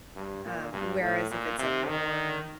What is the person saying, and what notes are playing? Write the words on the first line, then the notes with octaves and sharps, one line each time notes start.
um, whereas if it's a more,
G2
A#2
G2
A2
A#2
C3
D#3